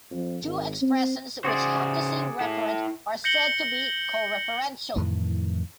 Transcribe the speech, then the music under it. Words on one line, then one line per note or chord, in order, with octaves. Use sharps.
Two expressions which have the same referent are said to be co-referential.
F2
G#1
C4
C#3 F#4 G#4 C5 D5
E4 A4
G6 A#6 C#7 F#7 G7
F2 A2 D#3 E3